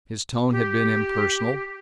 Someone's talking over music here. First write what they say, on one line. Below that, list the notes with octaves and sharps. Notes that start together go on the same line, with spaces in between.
His tone had been impersonal.
G4